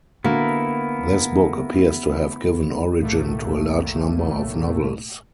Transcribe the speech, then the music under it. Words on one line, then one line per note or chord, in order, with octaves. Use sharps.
This book appears to have given origin to a large number of novels.
D3 A#3 B3 E4 F#4 A#4
B1 A2 A3 A#3